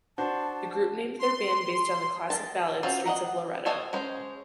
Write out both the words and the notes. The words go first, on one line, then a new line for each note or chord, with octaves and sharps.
The group named their band based on the classic ballad Streets of Laredo.
D4 F#4 C5 A5
C6
D#3 A5
C4 C#4 F4 F#4 C5
D#5 F#5 A#5
A4 C5 C#5 D#5 G#5
G#3 C#4 C5